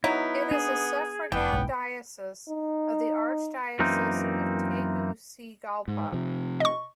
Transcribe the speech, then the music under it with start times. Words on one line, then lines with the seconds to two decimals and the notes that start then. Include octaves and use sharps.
It is a suffragan diocese of the Archdiocese of Tegucigalpa.
0.04 F#3 B3 D#4 E4
0.51 D4 G#4
1.32 F1 E3 B3 G5
1.52 F#1 B1 G#2
2.48 D#4
3.80 F#2 E3 A#3 C4 D#4
5.88 G#2
6.13 C3 F3
6.60 D#5 C#6